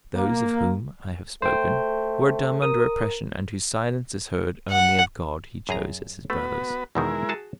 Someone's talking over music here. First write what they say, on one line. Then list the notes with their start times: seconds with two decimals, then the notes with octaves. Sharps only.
Those of whom I have spoken, who are dumb under oppression, and 'whose silence is heard only of God,' he chose as his brothers.
0.16 A#3
1.42 A3 C5 G5
2.62 A#4 D#6
4.71 F#5
5.69 F#2 G#4 A#5
6.30 A3 B3 F#4 B4
6.95 E2 B2 D#3 G#3 E4 A#4
7.29 F#4 G#4 A5